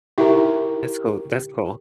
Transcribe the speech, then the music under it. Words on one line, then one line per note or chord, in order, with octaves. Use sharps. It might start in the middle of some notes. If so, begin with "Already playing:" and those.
That's cool, that's cool.
D#4 E4 G4 A#4 E5